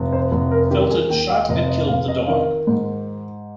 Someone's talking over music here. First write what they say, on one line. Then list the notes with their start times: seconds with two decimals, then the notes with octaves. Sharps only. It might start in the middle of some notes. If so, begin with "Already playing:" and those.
Felton shot and killed the dog.
Already playing: F1
0.13 C5
0.32 F1
0.51 A#4
0.71 D#3 G4
0.91 G#4
1.10 D#2 G5
1.30 F5
1.49 F1 D#5
1.69 D#5
1.88 F1 F5
2.08 D#5
2.27 D#3 F5
2.67 G#2